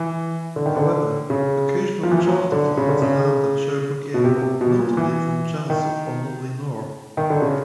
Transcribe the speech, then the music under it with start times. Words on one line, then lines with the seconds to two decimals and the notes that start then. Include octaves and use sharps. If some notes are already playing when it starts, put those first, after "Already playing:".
However, occasional charter flights land at Sherbrooke airport, notably from Jazz or Nolinor.
Already playing: E3
0.56 D3
0.66 D#3
0.76 D3
1.30 C#3
2.03 F3
2.11 E3
2.19 F3
2.27 F#3
2.52 D3
2.77 C#3
2.89 D3
3.02 C#3
4.14 B2
4.24 C3
4.42 C3
4.61 B2
4.79 A#2
4.97 E3
5.70 D#3
7.17 D#3
7.30 D3
7.42 C#3